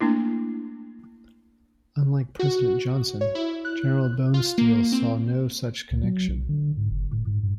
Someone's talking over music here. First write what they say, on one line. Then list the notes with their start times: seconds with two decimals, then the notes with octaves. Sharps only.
Unlike President Johnson, General Bonesteel saw no such connection.
0.01 A3 A#3 D4 E4
2.39 F#4
3.21 C#5
3.35 E4
3.65 F#6
4.34 F4
4.58 A#3
4.92 C4
5.91 C#2
6.03 F#3
6.28 B1
6.49 D3
6.77 G#2
6.91 F#1
7.13 A2
7.27 G#2
7.43 G2